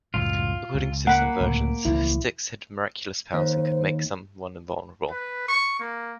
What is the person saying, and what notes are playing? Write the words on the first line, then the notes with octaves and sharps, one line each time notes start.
According to some versions, Styx had miraculous powers and could make someone invulnerable.
C#2 F#2 A2 F4
C#2
A#3 F#5 B5
D1 C#2 A3
E1 C#2 F3 E4
D#2 C5
B4
C#6
A#3